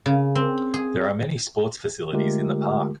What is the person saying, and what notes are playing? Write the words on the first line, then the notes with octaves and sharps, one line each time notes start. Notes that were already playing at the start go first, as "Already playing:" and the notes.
There are many sports facilities in the park.
C#3
C4
G#4
D3 G#3 A3 F4 G4 A#4